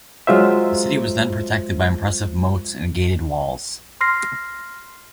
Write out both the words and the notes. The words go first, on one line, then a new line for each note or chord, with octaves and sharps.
The city was then protected by impressive moats and gated walls.
F#3 G#3 F4 C5 E5
C6 F6 A#6 C7